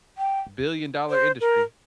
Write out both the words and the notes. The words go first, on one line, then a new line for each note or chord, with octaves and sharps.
Billion dollar industry.
G5
C5
A#4